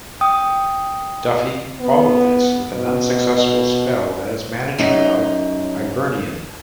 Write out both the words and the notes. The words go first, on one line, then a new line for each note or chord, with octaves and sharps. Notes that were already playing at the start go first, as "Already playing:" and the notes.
Duffy followed this with an unsuccessful spell as manager of Hibernian.
G5 D#6
B3
B2
F#2 D#4